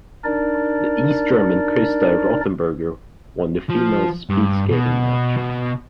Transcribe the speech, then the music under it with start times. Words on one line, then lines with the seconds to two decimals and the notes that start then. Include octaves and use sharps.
The East German Christa Rothenburger won the female speed skating match.
0.24 D4 D#4 A#4 D5
3.69 F3
4.29 G2
4.71 B2
5.38 B2